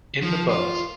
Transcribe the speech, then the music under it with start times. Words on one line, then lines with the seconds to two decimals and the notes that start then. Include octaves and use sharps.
In the Buzz!
0.22 F3
0.51 F4